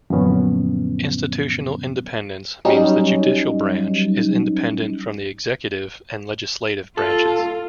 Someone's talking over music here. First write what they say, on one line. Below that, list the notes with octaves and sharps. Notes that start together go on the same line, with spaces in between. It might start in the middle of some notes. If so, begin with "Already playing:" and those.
Institutional independence means the judicial branch is independent from the executive and legislative branches.
F#2 A#2 D3 F3 B3 C#4
F#3 G3 C#4 D#4
F4 A4